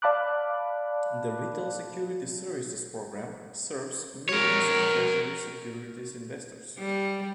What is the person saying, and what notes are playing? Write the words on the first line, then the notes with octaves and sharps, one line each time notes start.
The Retail Securities Services program serves millions of Treasury securities investors.
D5 F5 A5 B5 D6 F#6
A#4 C#5
G3